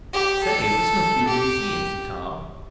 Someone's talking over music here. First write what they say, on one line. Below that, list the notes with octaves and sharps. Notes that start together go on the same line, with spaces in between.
"Say, this must be the museum," said Tom.
G4
A4
G4